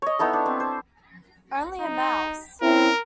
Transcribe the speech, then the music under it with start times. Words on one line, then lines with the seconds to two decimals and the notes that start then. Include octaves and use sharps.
Only a mouse!
0.02 C#5 D#5
0.19 B3 D#4 E4 A4
0.33 D4
0.46 C4
0.60 C5
1.80 D#4
2.62 C4 C#4 E4 A#4